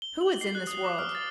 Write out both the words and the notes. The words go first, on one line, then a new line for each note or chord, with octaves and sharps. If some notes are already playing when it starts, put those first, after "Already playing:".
"Who is in this world?"
G7
F#7
C7
F#6
D#6
D6
F6
A6